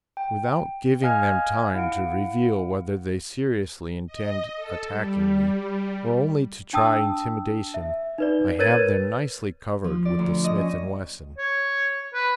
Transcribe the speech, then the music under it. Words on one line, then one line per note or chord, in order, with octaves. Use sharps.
Without giving them time to reveal whether they seriously intend attacking me, or only to try intimidation, I have them nicely covered with the Smith & Wesson.
G5
D#5 F5 G#5 F6 F#6 G#6
E4 F5 F#5 D7
D#5
A4
G3
D4 G5 A5 D#6 E6
E5
D#4 B4 D5
A#4 B4 C#5 G#6 A6 D#7
B4
F3
D5
D2
D#5
C#4
C#5
B4